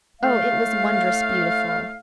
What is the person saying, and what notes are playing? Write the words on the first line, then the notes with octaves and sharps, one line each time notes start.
Oh, it was wondrous beautiful!
A2 A3 F5